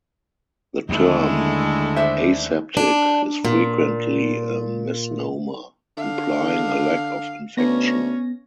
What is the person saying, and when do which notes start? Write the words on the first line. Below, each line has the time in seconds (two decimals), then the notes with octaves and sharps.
The term "aseptic" is frequently a misnomer, implying a lack of infection.
0.89 D#2 D3 G#3 A3 E4
1.96 D4 C5 E5
2.77 D4
3.45 A#2
5.97 D3 F5
7.57 D2 B3 C#4 A#6